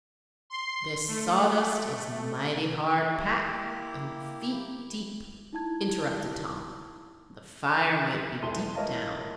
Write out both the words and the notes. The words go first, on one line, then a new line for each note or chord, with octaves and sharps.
"This sawdust is mighty hard-packed, and feet deep," interrupted Tom. "The fire might be deep down."
C6
A3
A#3 E4 G4
D#4 E4 A5 G#6
F#6
E1 E4 A4 C6 D#7 G7
E4 A#4 C#5 D#5 F5 A5